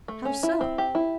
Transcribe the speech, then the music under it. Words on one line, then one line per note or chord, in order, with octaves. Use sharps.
"How so?"
A3
C#4
E4
C4
G4
E4